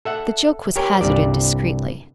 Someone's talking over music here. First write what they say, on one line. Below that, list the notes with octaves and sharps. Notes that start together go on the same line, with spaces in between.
The joke was hazarded discreetly.
A4 E5 F#5
G4 A#4 C#5 G#5
C2 G2 D5